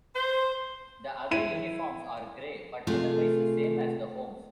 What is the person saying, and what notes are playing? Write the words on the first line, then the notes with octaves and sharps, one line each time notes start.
The away uniforms are grey, but otherwise the same as the homes.
C5
E4 D#7
C3 A3 F4 G#4 F5